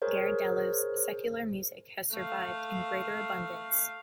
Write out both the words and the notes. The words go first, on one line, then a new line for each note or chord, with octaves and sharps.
Gherardello's secular music has survived in greater abundance.
G#4 A#4 C5 C#5
A3 F5